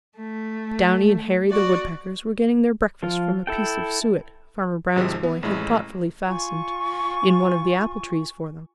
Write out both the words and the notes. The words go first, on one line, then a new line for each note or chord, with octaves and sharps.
Downy and Hairy the Woodpeckers were getting their breakfast from a piece of suet Farmer Brown's boy had thoughtfully fastened in one of the apple-trees for them.
A3
F#4 D5
F3 F4
E4 A4 G5
G#1 C3 F3 G#3
B3
A1 F2 G#3 E4
F4 G#5 C#6